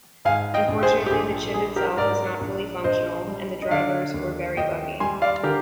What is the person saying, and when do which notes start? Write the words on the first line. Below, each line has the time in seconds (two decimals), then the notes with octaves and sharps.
Unfortunately the chip itself was not fully functional and the drivers were very buggy.
0.25 G#2 F5 G#5
0.54 D#5 G5
0.68 A#1
0.83 G#4 C5
1.06 G4
1.11 A#1 G#4
1.54 G3 G#4
1.76 G4 A#4
1.97 G#2 A#4 D5
2.41 A#1
2.84 A#1 C5 D#5
3.27 G3
3.62 D#5
3.71 D3 D5 F5
4.14 D#2
4.57 D#2 D#5 G5
5.00 G3 G#5 C6
5.22 D5 F5
5.43 D3 G4 A#4